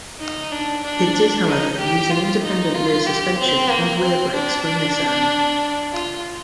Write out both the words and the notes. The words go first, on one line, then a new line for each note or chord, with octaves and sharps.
It did however use an independent rear suspension and rear brakes from Nissan.
D#4
D4
D4
D#4
G4
F4
D#4
F4
G4
C4
A#3
C4
D4
F4